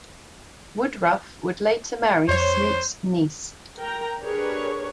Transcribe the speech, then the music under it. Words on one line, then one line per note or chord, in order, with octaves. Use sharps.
Woodruff would later marry Smoot's niece.
F2 C5 C#5
A#4 G5 A#5
D4 G4 G#4 A#4 B4 C#5